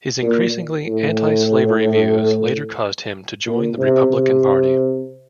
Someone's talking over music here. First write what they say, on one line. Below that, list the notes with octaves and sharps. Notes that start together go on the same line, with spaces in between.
His increasingly antislavery views later caused him to join the Republican Party.
A#2
A2
A#2
C3
C3